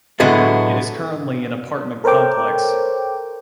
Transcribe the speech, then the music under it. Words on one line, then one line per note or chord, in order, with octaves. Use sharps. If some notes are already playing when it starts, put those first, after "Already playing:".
It is currently an apartment complex.
A2 D3 F#3 G#3 B3
A4 A#4 C5 C#5 G5 D6